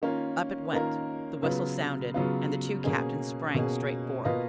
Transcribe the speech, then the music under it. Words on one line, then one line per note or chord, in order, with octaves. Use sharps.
Up it went, the whistle sounded and the two captains sprang straight for it.
D#3 A#3 C#4 F4 A#4
D#3 A#3 C#4 F4 A#4
C#3 F#3 B3 F4 B4
C#3 F#3 B3 F4 B4
B2 A#3 C#4 G#4
B2 A#3 C#4 G#4
B2 A#3 F4 B4 D#5